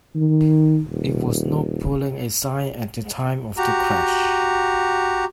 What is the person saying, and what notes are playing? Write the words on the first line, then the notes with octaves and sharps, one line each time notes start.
It was not pulling a sign at the time of the crash.
D#3
D#1
F#4 G4 A#5